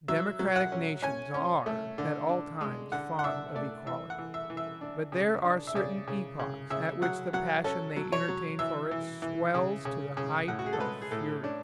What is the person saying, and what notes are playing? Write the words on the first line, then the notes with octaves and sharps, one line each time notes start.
Democratic nations are at all times fond of equality, but there are certain epochs at which the passion they entertain for it swells to the height of fury.
F#3 E5
F#3
F#5
C#4
C#4 G#5
C#4
A3
D3
D4
G#3
D3 F#5
F#5
D4 E5
A3 D5
E3 E5
F#5
E3
E5
E3
E5
D4
C#3
D4
E5
C#3 D5
C#3
C#3
C#3 E5
F#3 F#5
F#3 F#5
C#4 A4
F#3
C#5
F#3
E3 E5
E3
E3
C#3
C#3
C#3
A2 F#5
F#4
G#4
A4
G#3 B4
G#4
A2 A4
C#4 D4